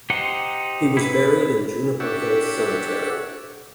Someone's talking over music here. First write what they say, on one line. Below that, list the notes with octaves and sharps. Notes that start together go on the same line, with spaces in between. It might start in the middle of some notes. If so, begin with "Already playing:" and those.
He was buried in Juniper Hill Cemetery.
D#4 G4 C5 F#5 C6
E4 B4
D4 G4 C#5 E5 F#5